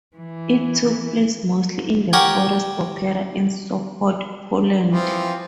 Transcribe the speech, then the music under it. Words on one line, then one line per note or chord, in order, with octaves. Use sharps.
It took place mostly in the Forest Opera in Sopot, Poland.
E3
G4 A#4 C#5 F#5 G#5
E3 F3 C4